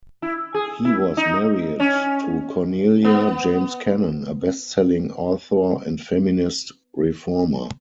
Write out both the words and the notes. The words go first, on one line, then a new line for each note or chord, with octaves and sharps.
He was married to Cornelia James Cannon, a best-selling author and feminist reformer.
E4
G#4
E4
D#4
C#4
B3